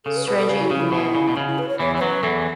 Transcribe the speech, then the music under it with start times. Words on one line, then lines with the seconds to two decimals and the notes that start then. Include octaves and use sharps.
Strange in command.
0.05 C#3 A4
0.17 B4
0.27 B2 B4
0.38 A4
0.48 C#3 B4
0.60 E4
0.71 C#3 C#4
0.82 E4
0.92 B2
1.15 C#3
1.29 B2
1.36 C#3 C#4
1.47 E4
1.58 B4
1.69 C#5
1.79 E2 E3 C#5
1.95 E3 C#5
2.01 F#2 F#3 B4
2.23 E2 E3 A4